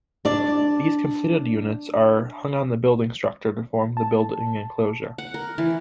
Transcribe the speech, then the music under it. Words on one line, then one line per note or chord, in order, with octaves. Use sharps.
These completed units are hung on the building structure to form the building enclosure.
D4 D5
A5
F#5
A#4
E3